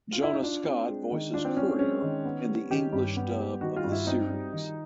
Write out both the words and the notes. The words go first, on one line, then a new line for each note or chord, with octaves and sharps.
Jonah Scott voices Courier in the English dub of the series.
F4
E4
D#4
D4 F4
C4
G#3
D#3
D4 F4
C4
C4 C#4
G#3 C#4
D#3
B3
G3
D#3 G4
G2
B3
G3
D#3 F#4
F4
G2
E4
C4 D#4
G3
D#3